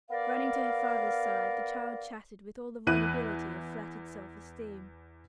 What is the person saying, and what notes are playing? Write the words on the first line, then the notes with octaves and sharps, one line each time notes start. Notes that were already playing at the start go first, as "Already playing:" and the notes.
Running to her father's side, the child chattered with all the volubility of flattered self-esteem.
B3 A#4 D5 F5
E2 E4 F#6 D#7